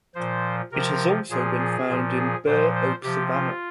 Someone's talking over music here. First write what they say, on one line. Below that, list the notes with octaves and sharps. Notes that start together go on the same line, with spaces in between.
It has also been found in bur oak savanna.
A#2 F3 C5
C3 F3 A#4
A#2 F3 G#4
G#4
A#2 F3
G#4
A#2 F3 C5
C5
C3 F3 G4
F4